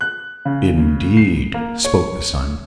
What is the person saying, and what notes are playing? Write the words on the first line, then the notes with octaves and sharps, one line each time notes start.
'Indeed!' spoke the Sun.
F#6
C#3
C7
A#3
C#5